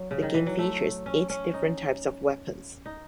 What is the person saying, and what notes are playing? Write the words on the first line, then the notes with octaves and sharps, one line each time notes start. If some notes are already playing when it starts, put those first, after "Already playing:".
The game features eight different types of weapons.
Already playing: F#3
C#3
D#3
E3
F#3
A3
C#4
C#4
D#4
D#4